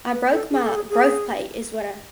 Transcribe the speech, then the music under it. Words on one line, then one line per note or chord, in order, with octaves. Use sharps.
I broke my growth plate, is what I
B4
A4
G#4
A4
G#4
G#4